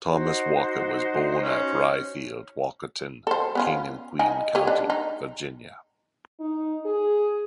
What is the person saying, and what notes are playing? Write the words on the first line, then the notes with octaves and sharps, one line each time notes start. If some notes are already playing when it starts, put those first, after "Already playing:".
Thomas Walker was born at "Rye Field", Walkerton, King and Queen County, Virginia.
D#4 F#4 C5
C#4
A4 C5
B3 C#4 F4
D#4 D#5 G#5
G4 C#5 D#5
D4 D#4
D#4
D#4
G#4